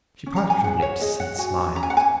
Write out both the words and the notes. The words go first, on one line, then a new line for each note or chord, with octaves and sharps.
She parted her lips and smiled.
C#4
A#5
G#5
G#4 F#5
C#5
G#4 D#5
F#5
F#4 G#5
C#4 A#5
G#5
F#5
G#5